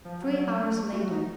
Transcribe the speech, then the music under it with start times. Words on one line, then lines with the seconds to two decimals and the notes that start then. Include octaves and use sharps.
Three hours later.
0.05 F3
0.22 F#3
0.40 F#3
0.58 A3
0.76 A3
0.93 F#4
1.11 D#4